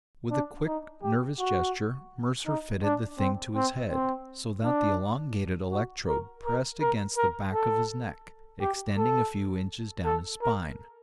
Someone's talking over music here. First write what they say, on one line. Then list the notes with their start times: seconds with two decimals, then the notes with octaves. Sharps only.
With a quick, nervous gesture, Mercer fitted the thing to his head, so that the elongated electrode pressed against the back of his neck, extending a few inches down his spine.
0.31 D4
0.67 D#4
1.03 G4
1.39 F#4
2.47 D#4
2.83 D4
3.19 C4
3.55 C4
3.91 C4
4.64 D4
5.71 F#4
6.08 A#4
6.45 A#4
6.81 A#4
7.17 A#4
7.53 A4
8.61 G4
8.97 A4
10.05 A4
10.42 A#4